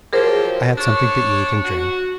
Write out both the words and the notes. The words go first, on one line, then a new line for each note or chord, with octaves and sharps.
I had something to eat and drink.
F3 F#3 G4 G#4 A#4 C5
D4 C#5
F#4